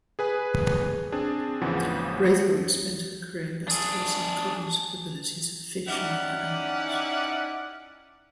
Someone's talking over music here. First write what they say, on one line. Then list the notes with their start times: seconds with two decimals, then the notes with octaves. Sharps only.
Braithwaite spent her career investigating the cognitive abilities of fish and other animals.
0.19 G#4 B4 G#5
1.12 C4 D4 G#4
1.61 G#1 D#2 C#3 E3 F3 F#5
3.68 D4 G#4
5.88 C#4 D#4 E4 G4 D5 F#5